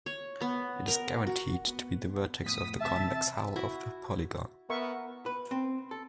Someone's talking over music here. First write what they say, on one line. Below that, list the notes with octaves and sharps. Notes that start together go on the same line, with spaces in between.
It is guaranteed to be the vertex of the convex hull of the polygon.
C#5
B3
A#4
F#4
B3
F2 A2 B3 D#6 B6
E2 C3 E5 A5
E4 F#4
B3 A#4 E5 C#6
B4
C4
A4